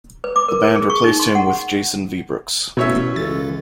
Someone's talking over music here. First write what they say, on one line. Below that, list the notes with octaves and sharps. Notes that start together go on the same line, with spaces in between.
The band replaced him with Jason Viebrooks.
B4
D6
A#4
A#4
G#4
C#6
D#4
C6
F#5
A1 F#2 B2 C#5 E5
C#2 E3 A4 A6